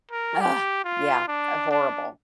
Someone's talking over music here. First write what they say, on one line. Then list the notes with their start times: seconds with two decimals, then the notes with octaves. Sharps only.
ugh, yeah, uh horrible.
0.11 A#4
0.41 G4
0.84 F4
1.28 D4
1.71 D4